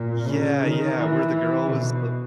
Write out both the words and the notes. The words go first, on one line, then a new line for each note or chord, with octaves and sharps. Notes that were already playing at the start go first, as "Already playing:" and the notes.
yeah, yeah. Where the girl was th
Already playing: A#2
C#3
D#3
E3
B2